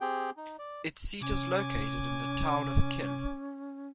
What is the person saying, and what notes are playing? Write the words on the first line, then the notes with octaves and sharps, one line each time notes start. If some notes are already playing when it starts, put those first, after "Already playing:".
Its seat is located in the town of Kil.
C4 G4 G#4 G5
D#4
D5
C3 C#4 G#5 D6